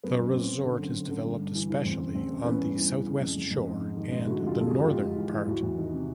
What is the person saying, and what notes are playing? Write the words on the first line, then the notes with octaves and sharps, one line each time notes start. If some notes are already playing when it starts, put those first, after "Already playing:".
The resort is developed especially on the southwest shore and the northern part.
F#2 B3
F#2
F#2 C4
F#2
D3
F#2
F#2
D3
G2
G2
E3
E3
E2 C4
C#3
E2 C4
C#3
E3 B3 C#4
G2
E3
E3
C#3
F2
F2
F2
G#2
G#2
D#3
G#2
D3 E4 F#4
F2
F4 G4
F2 A4
F#4 G#4
F2
G#2 F4 G4
G#2
E3
E3
E2 E4 F#4
E2
D#3
C3